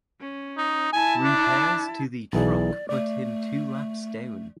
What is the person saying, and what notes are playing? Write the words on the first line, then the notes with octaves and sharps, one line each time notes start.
Repairs to the truck put him two laps down.
C#4
D#4
E4 G#5 A5
D4
B1 E3 G#4 D5
A3 D5